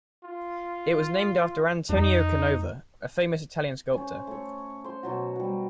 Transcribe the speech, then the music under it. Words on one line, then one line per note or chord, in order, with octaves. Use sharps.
It was named after Antonio Canova, a famous Italian sculptor.
F4
F2 D#4
C#4 C5
A3 C#5
C5 C6
B2 F#3 F#4
G3 F#4